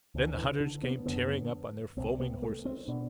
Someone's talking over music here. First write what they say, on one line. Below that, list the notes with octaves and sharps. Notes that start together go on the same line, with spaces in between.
Then the hunters came tearing up on their foaming horses.
D2 D3
E3
D3
B3
F#2 D3 B3
C2 C3 C4
B3
A3
C4
B2 D4